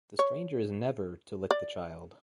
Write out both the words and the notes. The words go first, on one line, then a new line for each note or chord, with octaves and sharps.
The stranger is never to lick the child.
C#5
D5